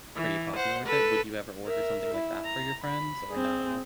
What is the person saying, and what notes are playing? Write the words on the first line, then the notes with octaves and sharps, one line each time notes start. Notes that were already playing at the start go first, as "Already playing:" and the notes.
pretty popular with it. Would you ever order something like that for your friends or no?
E3
C5 F#5
A4 B4
A#4 E5
E4
A#5
B5
C4 G#4